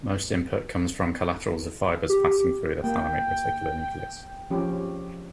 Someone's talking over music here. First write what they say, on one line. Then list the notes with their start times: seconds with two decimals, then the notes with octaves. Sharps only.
Most input comes from collaterals of fibers passing through the thalamic reticular nucleus.
2.09 G4
2.84 A#3 G5
4.50 F3 C#4 G4